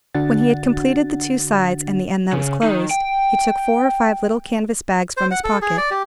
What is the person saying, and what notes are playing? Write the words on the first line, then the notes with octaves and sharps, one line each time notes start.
When he had completed the two sides and the end that was closed, he took four or five little canvas-bags from his pocket.
D3 D4 F#4 F#5 A6
C#3
D#3
G5
C5
F#5
A4
G#4
D5
G4